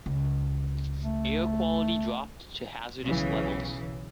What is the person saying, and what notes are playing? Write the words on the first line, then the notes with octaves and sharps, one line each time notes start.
Air quality dropped to hazardous levels.
C#2
A3
B1 C#3 E3